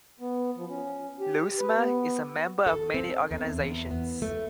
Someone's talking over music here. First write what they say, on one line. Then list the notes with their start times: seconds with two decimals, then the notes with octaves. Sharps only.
Lousma is a member of many organizations.
0.20 B3
0.56 F3
0.68 C#4
1.20 G4
1.58 B4
1.76 B3
2.67 A4
2.94 C4
3.31 E2
3.60 E2
3.91 B3
4.22 A3